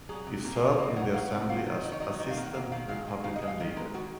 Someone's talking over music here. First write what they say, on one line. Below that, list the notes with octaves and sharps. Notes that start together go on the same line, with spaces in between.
He served in the Assembly as Assistant Republican Leader.
F#3 G#4
C3
A#3 A#4
G#4
C3
F4
A#3 D#5
F#3 F#5
F#3 F5
C3 F#5
D#3 F5
D#3
D#3 D#5
C#5
F#3 D#5
C#5
D#3 D#5
F5
A#3
F#5
A#3 F5
D#3 F5
G#3 F5
G#3
D#3 F5
D#5
G#3
F5
D#3 D#5
G#3 A#4
D#3 F#4